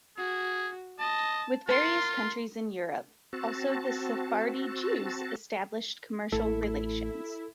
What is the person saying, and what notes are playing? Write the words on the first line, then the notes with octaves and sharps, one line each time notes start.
With various countries in Europe also the Sephardi Jews established commercial relations.
F#4 G#4
D#5 A5
F4 A#4 C6
C4 F#4 A5
A1 A3 E4 A4